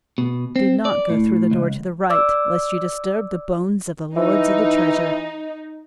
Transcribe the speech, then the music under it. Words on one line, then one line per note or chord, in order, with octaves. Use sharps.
Do not go through the door to the right lest you disturb the bones of the lords of the treasure.
B2
C4
D5
A2
C#2
D5 D6 E6
E3 D#4